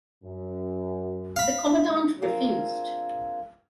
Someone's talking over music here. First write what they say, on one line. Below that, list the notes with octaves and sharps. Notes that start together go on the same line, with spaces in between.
The commandant refused.
F#2
F5 B5
A#3 C4 D4 F4 G#4 A#4